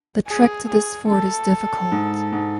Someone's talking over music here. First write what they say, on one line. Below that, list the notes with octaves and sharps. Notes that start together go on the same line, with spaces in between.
The trek to this fort is difficult.
G#4
G#4
A4
G#2
G#2